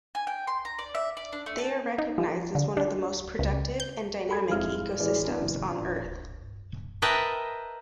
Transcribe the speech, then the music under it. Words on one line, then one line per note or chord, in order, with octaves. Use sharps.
They are recognized as one of the most productive and dynamic ecosystems on Earth.
G#5
G5
C6
A#5
D5
E5
D5
D4
A3
A5
D#4
F3
D3
D4
C#2
G6
A4 B5 G#6
F2 G#3 E4 F5 F6
E3 G#3 G#4 D5
B3 D4 E4
F#1 E3
D4 F4
A#4 B4 D#5 E5 G5 A5